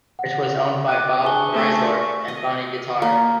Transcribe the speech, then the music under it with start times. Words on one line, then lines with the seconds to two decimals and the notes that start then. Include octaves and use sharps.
It was owned by Bob Reisdorf and Bonnie Guitar.
0.19 F#5
0.88 D6 F#6 D#7
1.23 D4 G#4 B4 G#5 C#6 G7
1.53 A3
2.28 D#5
3.02 A#3